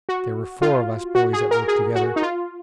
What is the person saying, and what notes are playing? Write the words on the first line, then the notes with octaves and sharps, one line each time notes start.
There were four of us boys at work together.
F#4
F4
F#4
G#4
A#4
G#4
F#4
D#4
F4